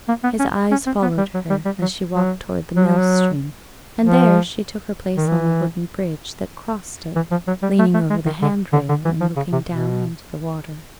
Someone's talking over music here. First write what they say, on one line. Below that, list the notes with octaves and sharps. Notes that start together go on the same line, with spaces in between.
His eyes followed her as she walked towards the mill-stream, and there she took her place on the wooden bridge that crossed it, leaning over the handrail, and looking down into the water.
A#3
B3
C#4
C#4
C4
B3
G3
F#3
G3
G3
F#3
F#3
F#3
F3
F#3
F3
D#3
E3
E3
F3
F#3
G3
A3
A3
G#3
D#3
D3
D3
D3
E3
F3
C#3
C3
B2